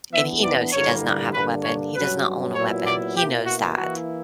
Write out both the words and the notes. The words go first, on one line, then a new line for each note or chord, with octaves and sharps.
And he knows he does not have a weapon, he does not own a weapon, he knows that.
E3 B3 D4 E5
D5
G2 D3 G3 A#3 E4 C#5
G2 D3 A#3 D4 B4
C#5
G2 F#3 C#4 B4
A#2 F#3 B3 E4 C#5
D5
B2 A#3 E4 G4
F#4
E3 A#3 E4 F#4